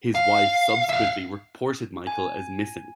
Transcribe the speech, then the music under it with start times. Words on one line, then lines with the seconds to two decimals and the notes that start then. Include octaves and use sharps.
His wife subsequently reported Michael as missing.
0.15 F5
0.89 E5 F5
2.07 G#5